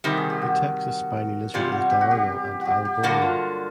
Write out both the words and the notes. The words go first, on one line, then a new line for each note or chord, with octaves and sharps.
The Texas spiny lizard is diurnal and arboreal.
C3 D#3 G3 G4
G#4
G4
F#4
E2 C3 G3 F4
F#4
G4
F#4
G4
F#4 G4
G4
G2 D3 F#3 A#3 F#4
F4